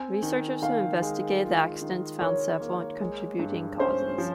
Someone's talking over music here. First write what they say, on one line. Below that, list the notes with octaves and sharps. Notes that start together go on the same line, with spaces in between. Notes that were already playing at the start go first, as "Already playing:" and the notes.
Researchers who investigated the accidents found several contributing causes.
Already playing: C4 G#5
D#3
D#3 F5
G#3
F4
D#3
A#4 C#5
A#3
G#3
G2
C#4 C5
F3